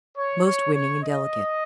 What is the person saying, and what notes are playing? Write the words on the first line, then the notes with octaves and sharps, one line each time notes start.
"Most winning and delicate."
C#5
C#5
C#5
D#5